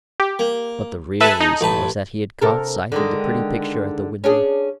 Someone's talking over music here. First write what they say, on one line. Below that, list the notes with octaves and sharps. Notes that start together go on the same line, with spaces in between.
But the real reason was that he had caught sight of the pretty picture at the window.
G4
A#3
G#4 A4 B4 E5 A5
D#4
A1 B4 A5
C3 A4 A#4
D3 D#3 G#3
C#4 D4 G#4